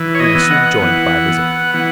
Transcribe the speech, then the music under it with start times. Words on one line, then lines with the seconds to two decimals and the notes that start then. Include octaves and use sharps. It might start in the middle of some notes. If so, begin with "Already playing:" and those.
We were soon joined by Elizabeth.
Already playing: E3
0.15 C#5
0.20 D#5
0.35 B3
0.51 F#5
0.82 E3
1.28 B3
1.74 E3 F#5